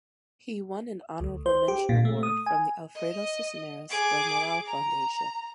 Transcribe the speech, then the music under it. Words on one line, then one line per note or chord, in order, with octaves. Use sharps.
He won an honorable mention award from the Alfredo Cisneros Del Moral Foundation.
D2
C5
G4
A#2
A3
D#6
G#5
D#5
G#4 D6
A#5